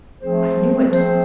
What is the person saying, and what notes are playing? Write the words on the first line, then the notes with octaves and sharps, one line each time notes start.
I knew it.
F3 A3 C4 G#4 C5
F3 A3 C4 G#4 C5